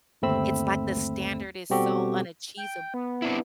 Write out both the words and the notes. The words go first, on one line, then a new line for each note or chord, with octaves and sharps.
it's, like, the standard is so unachees
G1 D#2 A3 C4 B5 E6
B2 G3 C4 F#4 G4 A4
G5
B3
C4 D4 E4